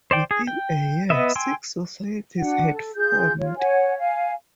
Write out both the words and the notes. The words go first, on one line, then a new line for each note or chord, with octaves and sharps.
Within a year, six societies had formed.
C5 D5 G5
G#4
G5
B3 B4 D#5 E5
G5 G#5 C6 E6
D4 F#4 F#5
A4
F4 G#4 G6
F4 C#5
C#5 F#5 G#5
F5 G#5